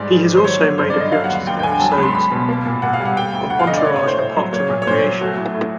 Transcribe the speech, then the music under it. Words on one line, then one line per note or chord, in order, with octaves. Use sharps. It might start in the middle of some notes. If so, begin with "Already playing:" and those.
He has also made appearances of episodes of "Entourage" and "Parks and Recreation".
Already playing: G#2 G3 D5
G#2
D#3
C5
F#3 C#5
A#3
G2 C5
D5
D3
D#5
F#3 F5
F#5
D#2 F5
D#2 G5
G5
D3 G#5
F#3 A5
B5
C#2
C6
C#2 B5
B2
A#3
A#2
A#2 F#5
F5
G3
F#5
G3 G5
D2
D2 F#5
F5
D3 D#5
D5
A3 C#5
C#5
A2
C5
A2 C5
F#3
A#3 C#5
A#2
C#5
A#2 C5
F#3
A3 F#4
A2
A2